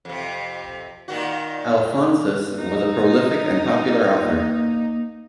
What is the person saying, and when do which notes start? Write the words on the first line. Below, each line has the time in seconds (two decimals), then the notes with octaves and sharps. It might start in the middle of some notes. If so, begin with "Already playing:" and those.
Alphonsus was a prolific and popular author.
0.05 F2 C3
1.08 A#2 D#3 F#4
2.59 D#4
4.21 A#3